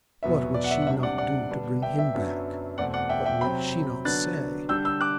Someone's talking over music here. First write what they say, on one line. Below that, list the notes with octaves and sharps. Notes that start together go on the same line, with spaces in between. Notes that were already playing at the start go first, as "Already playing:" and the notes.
What would she not do to bring him back, what would she not say?
E2 B2 F#3 B3 E5
D5
F#5
E5
F#5
C3 G3 D4 E5
D5 F#5
D5 F#5
D3 G3 B3 D4
E5 G5
E5
F#2 F#3 B3 D4
E2 B2 A3 C4 D5 F#5
D5 F#5
E5 G5
E5 G5
C3 F#3 C4 G5 B5
D3 F#3 B3 D4 F#6 A6
D3 G3 D4 E6 G6
E6 G6
D6 F#6